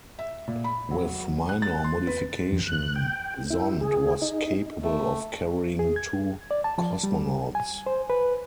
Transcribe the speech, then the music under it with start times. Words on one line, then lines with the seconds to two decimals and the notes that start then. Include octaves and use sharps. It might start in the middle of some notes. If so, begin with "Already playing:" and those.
With minor modification, Zond was capable of carrying two cosmonauts.
0.19 E5
0.48 A#2
0.64 B5
0.91 F#3
1.49 F#6
1.62 A6
1.84 C6
2.07 B4
2.52 F2
2.66 F#6
2.96 G5
3.50 E4
3.81 G#4
4.22 D#4
4.82 A3
5.79 G#4
5.96 G#6
6.51 D5
6.64 A5
6.78 F3
7.04 G3
7.55 G#5
7.86 C5
8.10 B4